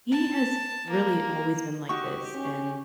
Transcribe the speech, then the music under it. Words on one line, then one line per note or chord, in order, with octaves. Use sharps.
He has really always been like this, and
A5
A#3
D#4 F#4 G4 C#6
C#4